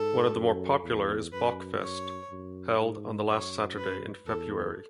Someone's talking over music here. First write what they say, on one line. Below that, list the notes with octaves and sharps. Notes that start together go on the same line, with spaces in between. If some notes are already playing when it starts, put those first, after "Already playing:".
One of the more popular is Bockfest, held on the last Saturday in February.
Already playing: G#2 A4
F#2
E2
F#2 B4
C#5
F#2
G#2
F#2 C#5
B4
E2 A4